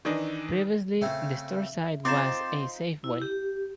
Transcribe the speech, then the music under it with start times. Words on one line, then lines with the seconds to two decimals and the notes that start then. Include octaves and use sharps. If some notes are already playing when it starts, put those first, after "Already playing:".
Previously, the store site was a Safeway.
0.05 D#3 E3 D4 D#4
1.02 C#3 A3 C4 E5
2.05 C4 D#4 F4 C5 C6 D6 A6 E7
3.04 E4
3.22 G4